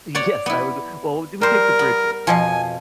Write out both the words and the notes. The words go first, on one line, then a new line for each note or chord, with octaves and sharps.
Yes, I would Well, do we take the bridges?
C#5 D5 F#5
B3 E4
G3 A#4 C5
B3
F2 B2 F3 G#5